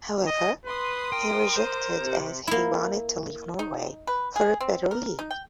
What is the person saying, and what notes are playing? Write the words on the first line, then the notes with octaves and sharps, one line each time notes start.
However, he rejected as he wanted to leave Norway for a better league.
D#5
B4 C6 D#6
A#4 G5
C5
C3
A#3 E4
D#4
B4
G#4
C4
A#4
D#4
G5